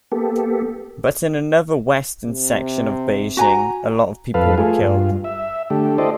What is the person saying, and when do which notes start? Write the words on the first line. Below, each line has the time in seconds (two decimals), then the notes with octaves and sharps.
But in another western section of Beijing, a lot of people were killed.
0.12 A#3 B3 G4 A4
2.27 C3
3.37 F#4 G#5 A#5
4.34 F2 A4 B4 F5
4.58 A3 F4 G#4
4.81 G2 F4
5.24 E5
5.70 D3 A3 G4
5.98 E4 G4 A4 C5 D5 D#5